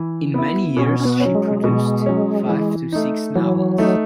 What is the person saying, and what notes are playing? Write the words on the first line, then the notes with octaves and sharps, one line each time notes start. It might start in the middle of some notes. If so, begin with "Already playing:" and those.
In many years she produced five to six novels.
Already playing: E3
B3 E4
B2 C#4
C#4
B3
F#3 C#4
G#3
B2
F#3 C#4
E3
A3 D#4
E3 F#3
A3 D#4